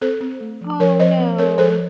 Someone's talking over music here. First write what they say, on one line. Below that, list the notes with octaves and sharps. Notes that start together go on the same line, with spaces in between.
Oh, no.
C4 A4 C5
C4
A3
F3
F3 A#4 C#5
F3 C5 D#5
C4
C4 A#4 C#5
F3 A4 C5